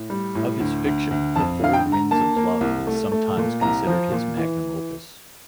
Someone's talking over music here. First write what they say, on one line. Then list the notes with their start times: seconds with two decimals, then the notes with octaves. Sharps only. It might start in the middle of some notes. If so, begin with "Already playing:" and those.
Of his fiction, "The Four Winds of Love" is sometimes considered his "magnum opus".
Already playing: A2
0.10 G3
0.35 A2
0.60 D2
0.85 D2
1.11 D2
1.35 F2 A5
1.61 D3 F5
1.73 G5
1.86 D3
1.92 A#5
2.11 A#3 A5
2.36 A#3
2.61 C2
2.87 A3
3.12 A3
3.37 A#2
3.61 C2 A#5
3.87 F3
4.11 A#2
4.37 E3